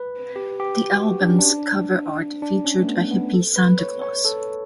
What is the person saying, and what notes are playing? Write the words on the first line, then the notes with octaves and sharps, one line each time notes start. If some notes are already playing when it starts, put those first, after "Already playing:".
The album's cover art featured a hippie Santa Claus.
Already playing: B4
G4
G4
F#4
D4
C#4
D4
D4
C#4
A3
B3
B3
A4
B4
C#5
C#5
A4